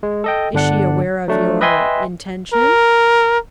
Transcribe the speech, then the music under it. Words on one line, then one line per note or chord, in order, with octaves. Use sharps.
"Is she aware of your--intention?"
G#3
A4 D#5 G5
G1 D3 D4 F#5
F#3 A3 D4
B4 D#5 E5 G5 G#5 C6
A#4